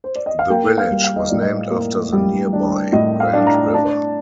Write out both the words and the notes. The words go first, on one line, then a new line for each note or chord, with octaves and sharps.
The village was named after the nearby Grand River.
C5
D5
D#5
F5
A#3 G5
F5
G3
F5
D#5
A2 D5
D#5
A#3
G3
D4
A2 D#5
F5
D4
A#5
D4 A5